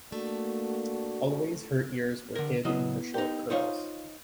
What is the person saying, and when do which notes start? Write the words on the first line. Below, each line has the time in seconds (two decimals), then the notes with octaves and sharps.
Always her ears were hid in her short curls.
0.12 A3 A#3 D4 F#4
2.35 D3 A#4
2.65 C#3 F#3 B3 E4 D#5
3.14 D#4 G4
3.50 D#4 F4 C5 C#5 F5